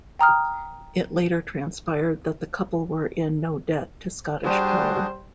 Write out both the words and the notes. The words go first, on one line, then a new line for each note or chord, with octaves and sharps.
It later transpired that the couple were in no debt to Scottish Power.
G5 A#5 D#6 F6
G3 D4 F#4 G#4 C5